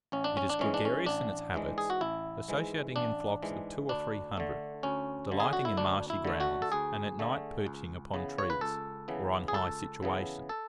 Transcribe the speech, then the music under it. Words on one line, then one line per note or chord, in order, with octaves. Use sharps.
It is gregarious in its habits, associating in flocks of two or three hundred, delighting in marshy grounds, and at night perching upon trees, or on high situations.
A1 C#4
D4
C#4
D4
G#2 E3 G#3 C#4
D4
C#4
A1 D4
G#2 E3 G#3
G#4
F#4
A1 E4
G#2 E3 G#3
A1 D4
G#2 E3 G#3
D2 D4
D3 A3
D2 C#4
D3 A3
G#4
F#4
E4
D2 D4
E4
D3 A3
F#4
A4
D2 G#4
D3 A3
C#2
C#3 E3 B3
C#5
B4
C#2 A4
C#3 E3 B3
G#4
C#2 A4
C#3 E3 B3
A4